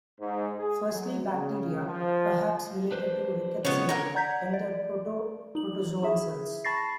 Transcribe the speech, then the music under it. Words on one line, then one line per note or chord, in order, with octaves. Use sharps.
Firstly, bacteria, perhaps related to "Rickettsia", entered proto-protozoan cells.
G#2
G#4
F#3
C#3
F3
D4 B4 C5
C#3 F3 G#3 B3 C#5
D3 A#4 C#5
D5 F#5 A#5 G6 G#6 B6
D5
D#4 F#7
E4 G#4 E5
A5 B5 C#6 A6 A#6 C7